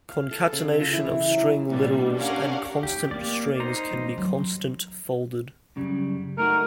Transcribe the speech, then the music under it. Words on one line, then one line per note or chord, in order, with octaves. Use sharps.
Concatenation of string literals and constant strings can be constant folded.
F5
A4
C#3
F4
E3
F#3
A#2 G3 D4
C#4 D4 G4 A#4 F5 F#5
D#4 G4
A#3 C4 D5
D#4 C5 A#5
A#3 E4
F#3
F#2 C#3 G3
A3 D#4 F#4 A#4